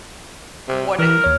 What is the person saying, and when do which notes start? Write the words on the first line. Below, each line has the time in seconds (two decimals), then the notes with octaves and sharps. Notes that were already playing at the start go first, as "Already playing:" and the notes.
what it w w
0.68 C3
0.99 E3 A#4
1.22 D#2 C#5 F6